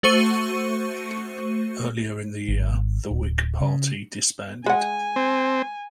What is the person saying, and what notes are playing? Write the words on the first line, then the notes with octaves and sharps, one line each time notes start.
Earlier in the year, the Whig Party disbanded.
A3 F#4 C5 C#6 C#7 D#7
G#1
D1
C#3
G#3 F#5 G#5
C4